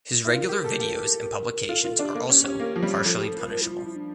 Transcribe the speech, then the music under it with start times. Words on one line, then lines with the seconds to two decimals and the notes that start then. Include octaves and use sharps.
His regular videos and publications are also "partially punishable".
0.25 E4
0.34 F4 A#4
0.49 G4
0.64 A4
0.80 A4
1.69 F4 A4
1.81 F4 A#4
1.92 A4
1.99 D4
2.03 G4
2.15 A#3 A4
2.29 C#4 G4
2.45 C#4 G4
2.60 A#3
2.76 F3
2.83 G3
3.05 F3 A4
3.16 G4
3.27 A4
3.39 A#4
3.50 A#4
3.62 E4
3.73 F4
3.84 E4
3.95 D4